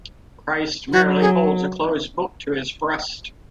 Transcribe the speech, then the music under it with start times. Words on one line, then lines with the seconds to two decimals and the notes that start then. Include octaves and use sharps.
Christ merely holds a closed book to his breast.
0.92 F#3 F#4
1.20 G#4